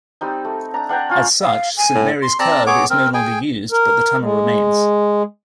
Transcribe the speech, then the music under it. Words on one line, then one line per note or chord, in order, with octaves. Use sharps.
As such, Saint Mary's Curve is no longer used, but the tunnel remains.
G3 C4 D#4
A3
D4 A#5
D4 F#5 G5 A#5
C#4 F4
F5
G#5
A2
C6
C4 D5 A5 A#5
B3 G#4 C#5 D6
C4 A#4
G#4 G5 G#5
A#4
G#3